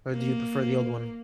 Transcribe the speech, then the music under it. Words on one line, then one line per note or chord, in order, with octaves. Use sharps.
Or do you prefer the old one?
A#3